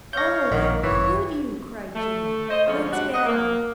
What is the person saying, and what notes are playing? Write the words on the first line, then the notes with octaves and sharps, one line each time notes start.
'Oh, how COULD you!' cried Jane. 'Let's get out.'
C#5 F5 G6 A#6
A#1 D#3 F#5
G#1 F#2 E3 C#5
A3
C5 D#5
F2 D3 F3 G#3 C#4
A2 G3 G#3 D4 F#4 F#5
D#5 F#5
A#3